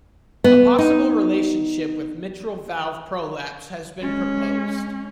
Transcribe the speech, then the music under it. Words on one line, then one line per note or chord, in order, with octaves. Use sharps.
A possible relationship with mitral valve prolapse has been proposed.
B3
D#4
G#3 C#4